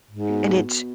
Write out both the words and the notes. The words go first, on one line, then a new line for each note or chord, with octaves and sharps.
and it's
G#2
B2